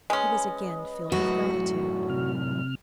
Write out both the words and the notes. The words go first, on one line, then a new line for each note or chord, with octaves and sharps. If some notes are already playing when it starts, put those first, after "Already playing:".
He was again filled with gratitude.
G#3 C#4 B4 D#5
F#2 A2 F#4
C3 F6